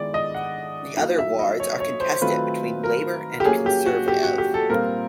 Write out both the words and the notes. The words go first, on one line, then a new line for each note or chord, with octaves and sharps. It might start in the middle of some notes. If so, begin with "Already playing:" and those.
The other wards are contested between Labour and Conservative.
Already playing: D#3 G#3 B3 E4 D5
D#5
F#5
F#3 A#3 D#4 F5
E5
D#5
C#5
C#5
C5
D#3 F#3 A3 C4 F4 B4
A#4
G4
F#3 A#3 C#4 G#4
G4
F#4
G4
F#4
G4
A4
A#2 G3 C4 F4 A#4